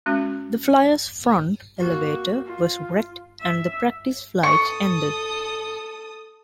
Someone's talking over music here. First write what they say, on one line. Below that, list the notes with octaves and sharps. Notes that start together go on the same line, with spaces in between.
The Flyer's front elevator was wrecked and the practice flights ended.
G#3 C#4 F#4
A#3 F#4
F4
E5
A4 C#6 D#6